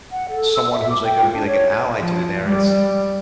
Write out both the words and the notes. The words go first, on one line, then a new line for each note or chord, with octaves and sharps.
someone who's, like, gonna be, like, an ally to Daenerys,
F#5
A4
E6
E5
D6
G5
F4
D4
C#5
F3
G3